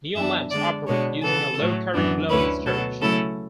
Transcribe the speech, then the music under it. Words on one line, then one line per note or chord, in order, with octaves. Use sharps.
Neon lamps operate using a low current glow discharge.
F#2 E3 B3 D4 E5
D3 G#3 D4 D5
B2 G#3 D4 C#5
C#3 E3 B3 A4
A2 F#3 A3
F#2 E3 B3 D4
D2 D3 A3 C#4 E4 B4
B2 F#3 B3 A4
C#3 F#3 A3 C#4 E4 A4